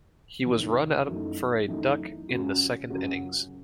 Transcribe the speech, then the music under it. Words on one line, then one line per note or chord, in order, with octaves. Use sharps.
He was run out for a duck in the second innings.
E2 C3 D#3
F#2 E3 A3 D#4
F#2 E3 A3 D#4
F#2 C#3 F#3 C#4 F#4
F#2 C#3 F#3 C#4 F#4